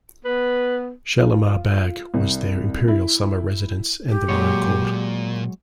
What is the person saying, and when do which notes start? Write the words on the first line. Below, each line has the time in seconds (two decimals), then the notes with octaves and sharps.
Shalimar Bagh was their imperial summer residence and the Royal Court.
0.25 B3 B4
1.20 F4
2.14 C2
2.88 E4
4.09 G4
4.28 A#2 F#3 G#3 C#5